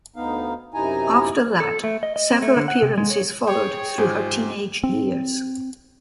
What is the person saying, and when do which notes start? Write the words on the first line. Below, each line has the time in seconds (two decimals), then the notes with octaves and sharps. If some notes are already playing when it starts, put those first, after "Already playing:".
After that, several appearances followed through her teenage years.
0.16 D2 B3 D#4 F5
0.74 F#2 C3 D#4 E4 G#5 A#5
1.60 A4
1.84 A3
2.03 D#5
2.16 D#5
2.31 C4
2.42 A3
2.56 D3
2.68 F#5
2.82 C3
2.98 G#3
3.10 C#5
3.48 G#4 C#5 G5
3.98 G#2 F4 G4 G#4 C5
4.84 C4